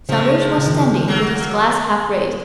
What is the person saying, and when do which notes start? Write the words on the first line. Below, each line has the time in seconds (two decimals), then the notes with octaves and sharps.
Saunders was standing with his glass half raised.
0.09 C#3 F3 G#3
0.58 C#3
0.66 D#3
0.75 C#3
1.08 F#3 A#3